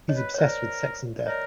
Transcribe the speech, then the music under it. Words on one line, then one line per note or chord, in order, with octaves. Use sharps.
He's obsessed with sex and death.
C#5 D#5
B4
C#5
A#4 C5 D5
D5
A#4 C#5 D#5